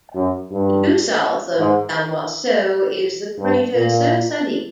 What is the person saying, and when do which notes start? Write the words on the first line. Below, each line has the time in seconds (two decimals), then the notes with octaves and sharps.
Due south of Damoiseau is the crater Sirsalis.
0.15 F#2
0.51 G2
1.58 G#2
3.38 G2
3.74 A#2